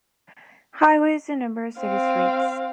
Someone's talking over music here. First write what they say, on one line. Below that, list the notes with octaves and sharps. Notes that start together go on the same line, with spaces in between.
Highways and numerous city streets.
C4 F5